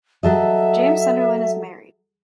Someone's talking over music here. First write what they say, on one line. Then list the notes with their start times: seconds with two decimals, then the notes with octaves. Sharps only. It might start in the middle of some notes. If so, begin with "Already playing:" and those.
James Sunderland is married.
0.23 F#3 A4 D#5 E5